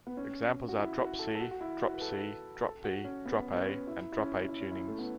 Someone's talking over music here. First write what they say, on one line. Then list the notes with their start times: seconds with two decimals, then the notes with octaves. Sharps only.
Examples are Drop C, Drop C, Drop B, Drop A, and Drop A tunings.
0.07 B3
0.17 C#4
0.68 F#4
0.79 E4
0.99 F#4
1.19 A4
1.35 A4
1.40 F#4
1.51 F#4
1.61 E4
1.81 F#4
1.94 B4
2.01 A4
2.64 A4
2.84 F#4
3.04 C#4
3.26 B3
3.52 B3
3.56 C#4
3.87 E4
4.12 E4
4.18 C#4
4.49 E4
4.61 C#4
4.72 E4
4.88 A3
4.99 B3